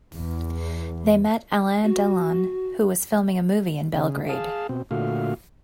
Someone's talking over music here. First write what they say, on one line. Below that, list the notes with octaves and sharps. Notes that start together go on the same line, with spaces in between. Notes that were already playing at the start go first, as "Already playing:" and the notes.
They met Alain Delon, who was filming a movie in Belgrade.
E2
F#4
C#3
G#4 F5 A5
B2 C4
A#2 D3 A3 F#4 F5